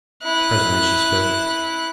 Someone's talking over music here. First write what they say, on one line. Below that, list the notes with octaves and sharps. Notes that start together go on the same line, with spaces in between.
Presently she spoke.
E4 F#6